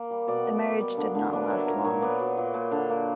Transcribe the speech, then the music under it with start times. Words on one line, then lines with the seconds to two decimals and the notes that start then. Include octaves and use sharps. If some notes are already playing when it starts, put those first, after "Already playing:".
The marriage did not last long.
Already playing: A#3
0.11 G3
0.28 B2 D5 F#5
0.45 B2
0.63 A#3
0.80 G3
0.97 D3
1.15 D3
1.32 A#3 B4 D5
1.50 F#3 C#5 E5
1.67 A#2 A#4 C#5
1.84 A#2 A#4 C#5
2.02 B3 B4 D5
2.19 F#3
2.37 A#2
2.54 A#2
2.71 D3
2.90 A#3